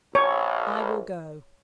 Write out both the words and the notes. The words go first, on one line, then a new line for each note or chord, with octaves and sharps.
I will go.'
A#1 C#5